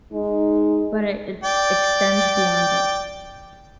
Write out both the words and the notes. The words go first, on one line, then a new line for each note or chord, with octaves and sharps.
But, it extends beyond it.
G#3 D#4
D5 G5